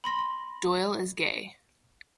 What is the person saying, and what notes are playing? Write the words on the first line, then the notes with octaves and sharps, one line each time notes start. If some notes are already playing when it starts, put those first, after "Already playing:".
Doyle is gay.
B5 C6 A#6